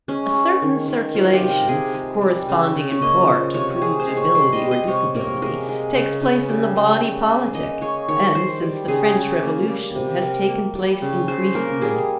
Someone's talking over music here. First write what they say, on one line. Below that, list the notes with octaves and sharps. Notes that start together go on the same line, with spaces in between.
A certain circulation, corresponding in part to proved ability or disability, takes place in the body politic, and, since the French Revolution, has taken place increasingly.
G#3 C#4
G#3
D#3
D#3
F3 F4
G4
C3
A#4
C3 G#4
G#3
G3
C#3
C#3
C#5
A#3 D#5
F3
C3 C#5
C3 G#4
C5
G#3
C#5
G3 C5
D#5
C3
D#5
C3 C#5
A#3 A#4
G#3 A#4
G#3
C#3
C#3
G3
C#3
C#3
A#3
G#3 D#5
G#3 C#5
D#3 C#5
D#3 C5
G3
C#3 G#4
C#3
A#3
G3
C3
C3 A#4
A#3
G3
C#3
C#3 C5
A#3 A#4
G3 G#4